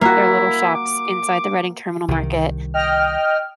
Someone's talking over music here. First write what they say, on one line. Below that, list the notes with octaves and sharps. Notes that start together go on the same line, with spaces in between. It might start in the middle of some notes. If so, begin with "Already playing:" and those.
their little shops inside the Reading Terminal Market,
A#3 E4 F#4
D6
C2 D#3
D#5 G5 F6